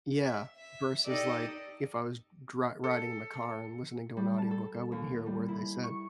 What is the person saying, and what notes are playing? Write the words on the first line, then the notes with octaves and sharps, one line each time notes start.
yeah, versus, like, if I was dri riding in the car and listening to an audiobook, I wouldn't hear a word they said.
E5
E5
D#4 G4 A4 D5 D#5
A4 C#7
G3
A5
A4
D#2
G3
E4
C#6